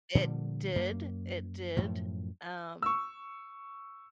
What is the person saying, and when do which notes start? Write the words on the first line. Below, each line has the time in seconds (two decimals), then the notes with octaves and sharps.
It did. It did. Um,
0.15 A#2 D3 F3 G3
0.76 F#2 A#3
1.77 F#2 A2 F3
2.82 C#6 E6